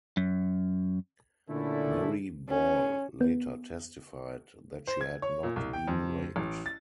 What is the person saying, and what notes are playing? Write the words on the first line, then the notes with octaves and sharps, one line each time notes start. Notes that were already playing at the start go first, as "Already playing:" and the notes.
Mary Ball later testified that she had not been raped.
F#2
A#2 D3 A3 C#4 D4 E4
C#4
B3
C5
G#6
C#5
A#2
C2
G5
F2
A1
A6